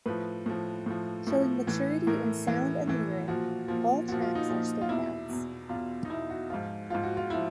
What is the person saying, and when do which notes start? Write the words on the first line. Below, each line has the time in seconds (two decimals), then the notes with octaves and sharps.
Showing maturity in sound and lyric, all tracks are standouts.
0.06 A2 F3 B4
0.46 A2 F3
0.86 A2 F3
1.27 A2 F3
1.67 A2 E3
2.07 A2 E3 A#4
2.47 A2 E3
2.88 A2 E3
3.28 A#2 F3 F#4
3.68 A#2 F3
4.08 A#2 F3 F#4
4.22 F4
4.35 D#4
4.48 A#2 F3
4.81 F4
4.89 E2 B2 E4
5.29 E2 B2
5.69 E2 B2 F4
6.05 D#4
6.10 E2 B2 E4
6.30 F#4
6.50 G#2 F3 F4
6.90 G#2 F3 F4
7.03 F#4
7.17 F4
7.30 F3 E4